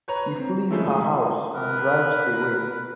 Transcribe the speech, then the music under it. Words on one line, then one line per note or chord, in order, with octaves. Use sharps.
She flees her house and drives away.
B4 C#5 A#5
C4
F3 G#3 A3 C#4 E4
D#6
A#4 B4